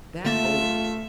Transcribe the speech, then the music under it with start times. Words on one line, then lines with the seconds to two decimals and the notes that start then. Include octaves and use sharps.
That over!
0.25 D3 A3 A#3 F4 E5 A6